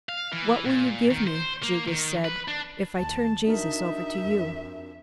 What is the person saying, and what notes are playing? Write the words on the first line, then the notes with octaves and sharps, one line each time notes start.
"What will you give me," Judas said, "if I turn Jesus over to you?"
F5
E3
A#2
D#3
C5
A#3
D#3
B4
D4
D#2 A5
D4 D#4 F#4 A#4 E5
F2